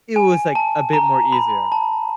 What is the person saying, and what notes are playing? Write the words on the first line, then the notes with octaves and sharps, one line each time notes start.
it was, like, a bit more easier.
G#5
A5
A#5
B5
A5